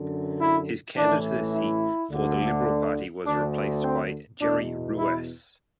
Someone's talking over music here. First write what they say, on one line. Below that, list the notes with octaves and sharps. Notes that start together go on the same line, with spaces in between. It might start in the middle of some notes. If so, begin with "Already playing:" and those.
His candidacy for the Liberal party was replaced by Gerry Ruehs.
Already playing: F#2 D3
E4
A1 A2 E3 D4
E4
D2 D3
D2 D3 D4
C4
E2 B2 D4
E4